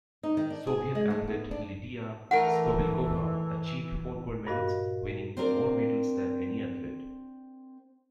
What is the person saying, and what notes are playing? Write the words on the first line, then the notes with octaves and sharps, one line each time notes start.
Soviet athlete Lidiya Skoblikova achieved four gold medals, winning more medals than any athlete.
D#4
D#3
D4
G#4
G#3
A3
B3
D4
A2 E3 A3 A#4 F#5
G2 A#2 F#4 D#5 F5
C4 D4 F4 A#4 C5